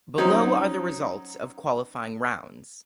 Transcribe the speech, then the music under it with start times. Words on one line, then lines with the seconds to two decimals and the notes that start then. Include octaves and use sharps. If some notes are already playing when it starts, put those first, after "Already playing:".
Below are the results of qualifying rounds.
0.18 F#3 C4 C#4 D#4